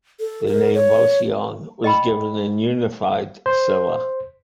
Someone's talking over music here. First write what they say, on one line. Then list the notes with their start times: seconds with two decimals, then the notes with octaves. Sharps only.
The name "Boseong" was given in Unified Silla.
0.20 A4
0.47 A#4
0.74 C#5
1.84 D#5 G5 B5
3.46 C5